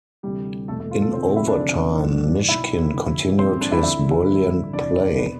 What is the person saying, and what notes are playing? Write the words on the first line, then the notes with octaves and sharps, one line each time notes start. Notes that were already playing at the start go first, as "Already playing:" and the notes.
In overtime, Myshkin continued his brilliant play.
D2 C3 E3 G3 G4
E1 E2 B2 A3 A4
A3 A4
F4
A3 A4
F1 F2 D3 F3 C4 C5
E4 E5
D4 D5
D2 C3 F3
G1 G2 E3
B1 B2 E4 E5
F1 F2 D3 F3
A1 G2 F3 C4 C5
D4 D5
E4 E5
E2 D3 F3 E4 E5
A1 G2 D3 F3
F1 E2 C3 E3 D4 D5
B2 B3 B4